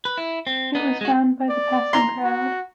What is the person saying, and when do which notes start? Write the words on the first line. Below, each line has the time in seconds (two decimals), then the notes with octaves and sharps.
It was found by the passing crowd.
0.05 B4
0.17 E4
0.47 C4
0.75 B3 D#4
1.01 G#3 F#4
1.49 D5
1.93 A#5 C6
2.24 F#4